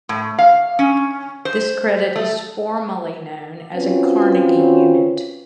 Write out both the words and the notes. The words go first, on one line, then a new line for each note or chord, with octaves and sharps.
This credit is formally known as a Carnegie Unit.
A2
F5
C#4
C5
A3
C4 C#4 F4 F#4 B4